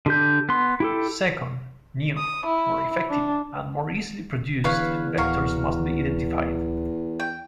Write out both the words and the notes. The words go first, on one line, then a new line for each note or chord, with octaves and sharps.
Second, new, more effective, and more easily produced vectors must be identified.
D3 G4 G6
B3 C6
E4 G4 A4
D#6
E4
D4
E2 D3 E3 B4 C#5 F5
D1 E3 F#4 A#4 F5
G5